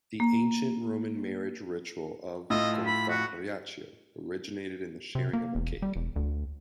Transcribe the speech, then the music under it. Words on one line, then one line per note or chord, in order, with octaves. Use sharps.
The Ancient Roman marriage ritual of "confarreatio" originated in the sharing of a cake.
A#3
A2 F4 D#5 E6
B5
F#4
C3
A#3
E1
G3
E1
D2